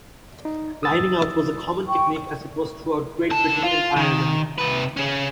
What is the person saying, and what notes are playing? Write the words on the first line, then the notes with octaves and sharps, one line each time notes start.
Lining out was a common technique, as it was throughout Great Britain and Ireland.
D#4
D#6 E6 A6
G5 C#6
D3 A5
F4
D#3
C3 B4
C#4 G#4